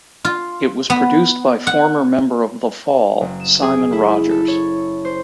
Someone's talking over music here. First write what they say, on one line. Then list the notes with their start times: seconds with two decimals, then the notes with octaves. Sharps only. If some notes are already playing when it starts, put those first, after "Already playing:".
It was produced by former member of The Fall, Simon Rogers.
0.25 F4
0.90 B3
1.67 F#5
3.21 F#1
3.40 E7
3.63 G#4
3.92 E4
4.31 A4
4.48 C#5
5.05 C5